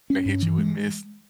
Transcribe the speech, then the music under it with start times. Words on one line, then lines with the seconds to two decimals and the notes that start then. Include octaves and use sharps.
They hit you and miss.
0.10 C#4
0.26 G2
0.42 E3
0.58 G#3